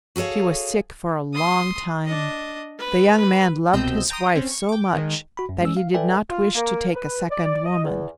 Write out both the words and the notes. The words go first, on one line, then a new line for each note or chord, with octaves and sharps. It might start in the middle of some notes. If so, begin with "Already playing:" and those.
She was sick for a long time. The young man loved his wife so much that he did not wish to take a second woman.
F#4 G#4 A4 C#5 F5
C6 D#6
D4 D#5
B4
B4
C2 B2 C4 D#5 E6 G6
G5 A#5 C6 D#6
C4 C#4
C#6
G5 D6
D#3 G#3
F#4 B5
F#2
G#3 C#4 E6
F5
A4 B4 D5 E5 G5 G#5
F4
A#3
B4
D5
D#5
E2